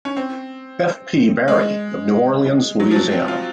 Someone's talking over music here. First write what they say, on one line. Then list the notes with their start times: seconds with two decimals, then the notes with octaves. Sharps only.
F. P. Barry, of New Orleans, Louisiana.
0.05 C#4
0.17 C4
1.48 G#3
2.80 F#3
2.91 F3
2.96 F#3
3.12 C4
3.28 F4